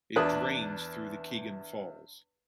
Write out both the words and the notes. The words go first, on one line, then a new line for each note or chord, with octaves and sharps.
It drains through the Kegon Falls.
E2 D4 B4 D#6